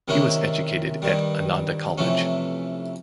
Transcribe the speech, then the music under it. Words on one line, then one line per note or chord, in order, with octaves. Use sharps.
He was educated at Ananda College.
C3 D#3 G#3 C#4 E4
G2 D#3 G3
F2 C3 E3 A3 C#4